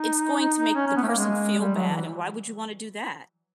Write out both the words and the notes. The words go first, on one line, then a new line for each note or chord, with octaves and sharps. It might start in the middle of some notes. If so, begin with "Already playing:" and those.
it's going to make the person feel bad, and why would you wanna do that?
Already playing: D#4
C#4
C#4
B3
A3
A#3
G#3
G3
F#3
E3